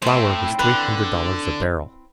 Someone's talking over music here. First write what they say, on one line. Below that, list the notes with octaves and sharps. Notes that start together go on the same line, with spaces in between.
Flour was three hundred dollars a barrel.
A2 C4 E4
D3 B4